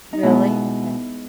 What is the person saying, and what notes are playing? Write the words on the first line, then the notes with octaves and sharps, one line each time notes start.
Really? Okay.
D#4
B2 G#3 B3 E4